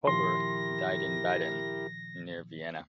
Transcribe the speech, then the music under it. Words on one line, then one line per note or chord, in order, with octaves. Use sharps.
Popper died in Baden, near Vienna.
A#2 D#3 F3 E4 G4 A#4 C6 A#6